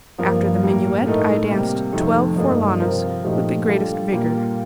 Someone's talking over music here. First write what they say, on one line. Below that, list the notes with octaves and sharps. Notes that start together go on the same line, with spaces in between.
After the minuet I danced twelve forlanas with the greatest vigour.
G2 F3 A#3 F4 A#4
A2 G3 A#3
A2 A3 D#4 A#4
C3 G3 A#3
F2 C3 D#3 A3
G2 F3 A#3 D#4 A4
C3 F3 C4 F4 A#4
A#2 F3 A3 D#4 G4
G3 D4 F4 A4
A#2 G3 A#3 F4